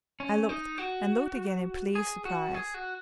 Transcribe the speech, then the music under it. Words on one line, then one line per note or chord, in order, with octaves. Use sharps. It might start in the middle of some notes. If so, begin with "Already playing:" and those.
I looked, and looked again in pleased surprise.
C#4
D#4
F#4
G#4
F#4
G#4
F#4